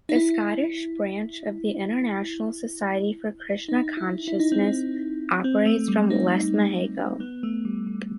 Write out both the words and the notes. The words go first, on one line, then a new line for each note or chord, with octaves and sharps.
The Scottish branch of the International Society for Krishna Consciousness operates from Lesmahagow.
D#4
E4
D#4
E4
E4
D#4
C4
D#4
C4
A3
G3
D#4
B3
A3
G3
G3